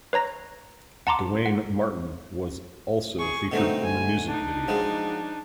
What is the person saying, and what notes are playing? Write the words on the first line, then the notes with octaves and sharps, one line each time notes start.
Duane Martin was also featured in the music video.
B4 C#5 A#5 A#6
F#5 A5 A#5 C6 D6
F#5
G#4 C#6
B2 D3 A3 C4 D#4
G#5
D4 D#4
F3 F#3 G#3